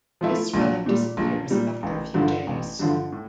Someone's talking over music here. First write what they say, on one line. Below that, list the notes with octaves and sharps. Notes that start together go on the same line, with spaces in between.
This swelling disappears after a few days.
F3 A3 E4
A#1
A#2 G3
A#1
A#2 G3
A1
G2 D3 F3
A1
G2 D3 F3
A2